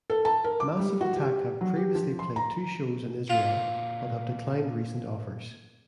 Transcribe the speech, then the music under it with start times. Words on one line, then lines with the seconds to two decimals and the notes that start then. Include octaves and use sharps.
Massive Attack have previously played two shows in Israel, but have declined recent offers.
0.10 A4
0.25 A5
0.44 A#4
0.60 D6
0.79 G3
1.01 F#4
1.16 G4
1.61 F#3
1.76 G4
1.95 F3
2.19 C6
2.36 A#5
3.30 A#2 C4 F4